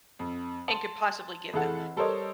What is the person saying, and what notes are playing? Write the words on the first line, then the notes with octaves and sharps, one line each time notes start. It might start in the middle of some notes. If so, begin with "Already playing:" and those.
and could possibly give them.
F2
A5 C6
F1 E3 G#4 A4 F#5
G3 A4 A#4 C5 C#5 D#5